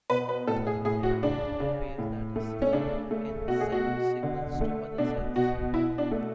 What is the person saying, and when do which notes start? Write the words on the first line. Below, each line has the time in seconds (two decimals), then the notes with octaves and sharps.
There are multiple ways that a cell can send signals to other cells.
0.10 B2 B4
0.29 B4
0.48 A2 A4
0.67 G#4
0.85 A2 G#4
1.03 F#4
1.23 C#3 D4
1.60 C#3
1.98 A2
2.36 A3
2.62 C#4
2.73 C#3 D4
3.11 A3
3.47 B2 F#4
3.60 G#4
3.72 F#4
3.85 B2
4.23 D3
4.61 A3
4.98 B2 D4
5.36 B2 F#4
5.74 B2 E4
5.98 D4
6.11 A3